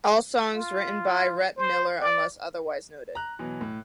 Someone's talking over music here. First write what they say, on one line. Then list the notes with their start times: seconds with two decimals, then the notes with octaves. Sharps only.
All songs written by Rhett Miller unless otherwise noted.
0.54 F4
1.57 C5
2.01 D5
3.15 A#5 F#6
3.39 B2 E3 F#3
3.61 A2